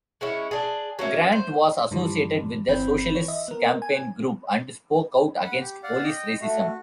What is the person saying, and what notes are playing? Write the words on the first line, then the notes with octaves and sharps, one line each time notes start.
Grant was associated with the Socialist Campaign Group, and spoke out against police racism.
G#3 C#4 E4
D4 G#4
F#3 A#3 C#4 E5
C5
G2 D3 E3 F3 G3
G1 E3 C4 B5
E3 C#5
D#5 E5
B3 A#4
G#5
F#5 B5
G4
D5 F5 F#5
D#5 G5
A3 F#4